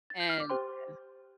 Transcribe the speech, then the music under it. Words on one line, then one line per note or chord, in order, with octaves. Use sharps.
And Yeah.
A6
G6
F6
D6
G4 C5 G5 C6